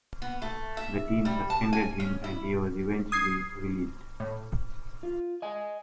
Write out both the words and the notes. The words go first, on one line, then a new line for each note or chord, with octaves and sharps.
The team suspended him and he was eventually released.
B3
A3
E5
G3
A5
G#5
C#4
E4
D#6 G#6 C7
A2
F4
D#5 G#5